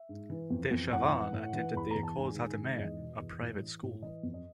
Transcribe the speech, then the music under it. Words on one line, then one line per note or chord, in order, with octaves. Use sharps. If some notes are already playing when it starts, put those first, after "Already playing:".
Dechavanne attended the Cours Hattemer, a private school.
Already playing: E5
G#2
E3
F2
F2
A2 F#5
E3
A2
E3
E2 B5
E2 A#5
A5
G#2 G#5
D#3
G#2
E2 D#5
B2
E2
A2
E3
A2
E3 D#5
F2
D#5